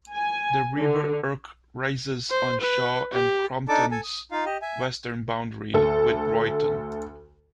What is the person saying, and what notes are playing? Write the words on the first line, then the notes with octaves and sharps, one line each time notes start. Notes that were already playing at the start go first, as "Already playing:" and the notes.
The River Irk rises on Shaw and Crompton's western boundary with Royton.
G#5
D3
C5
B4
G4
D4 D#4 A4 A5 D6
A4 G#5 A5
D#6
D#4 F4 F5
G4 D#5
E5 G#5
D2 A4